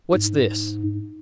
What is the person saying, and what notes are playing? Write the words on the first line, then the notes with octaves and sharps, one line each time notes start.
"What's this?"
G#2